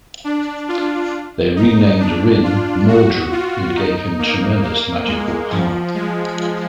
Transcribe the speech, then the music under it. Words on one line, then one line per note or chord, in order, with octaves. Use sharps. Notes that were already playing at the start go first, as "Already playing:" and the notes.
They renamed Wrynn, "Mordru" and gave him tremendous magical power.
D4
F4
D#4
D4
F4
F#4
F4
D#4
A#3
A#3
G#3
F3
G#3